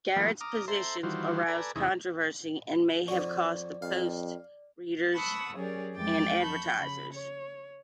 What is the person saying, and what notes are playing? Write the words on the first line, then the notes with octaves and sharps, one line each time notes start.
Garrett's positions aroused controversy and may have cost the "Post" readers and advertisers.
E3 F#3 G#3 A#3 B3 F4
A#5 D6 D#6 F6
A4 C5 E5 A#5 C6
D#3 E3 G3 F4 F#4 C5
A4 B4 D5 G#5 A#5
E2 C3 C#4 D#4 E4 G#4
F2 F#4 D5
F2 F5
F#5 A5 B5 C#6 D#6 E6
F#3 C#4 G4 G#4 A#4 D5
F2 E3 G#3 G5 D6 A6
A5 B5 C#6 G6
C#3 B5
C#5